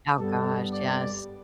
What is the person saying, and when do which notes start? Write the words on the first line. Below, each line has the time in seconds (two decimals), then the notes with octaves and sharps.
Oh, gosh, yes.
0.18 G2 G3 B3 A4
0.72 D5